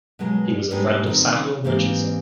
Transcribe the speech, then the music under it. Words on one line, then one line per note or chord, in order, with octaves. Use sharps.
He was a friend of Samuel Richardson.
B2 F#3 G#3 A#4
G#2 G3 G#3 B3 D4 G4
D#3 C4
G#2 E3 A#3 C4 G4 F5